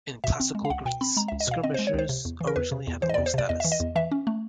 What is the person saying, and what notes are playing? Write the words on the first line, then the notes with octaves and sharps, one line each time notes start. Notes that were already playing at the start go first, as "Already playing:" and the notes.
In classical Greece, skirmishers originally had low status.
B2 E5
C4
G#3
F5
C#2 F#5
B2 G5
C4 B5
G#3 A#5
E5
C#2
D#5
B2 F5
C4 D#5
C5
G#3
C#5
C#2 C5
C3
E2
E3
A#4
E2 B4
C3
E2
E3 C5
D#5
D5
E2
C5
C3 D5
E2 D#5
E3 E5
D#5
E2
E3 E5
C#4
A3